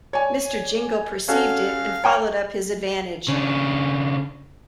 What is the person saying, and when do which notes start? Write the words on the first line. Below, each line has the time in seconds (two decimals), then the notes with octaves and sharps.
Mr. Jingle perceived it, and followed up his advantage.
0.13 C#5 D5 G#5
1.28 C#4 F#4 A4 F5
2.04 C#5 G5 C#6
3.28 C#3 D4